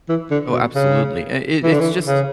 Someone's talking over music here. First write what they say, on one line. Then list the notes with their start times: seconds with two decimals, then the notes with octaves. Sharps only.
Oh, absolutely, it it it's just
0.09 E3
0.31 D3
0.52 B2
0.75 C#3
1.63 E3
1.72 D3
1.80 E3
2.07 C#3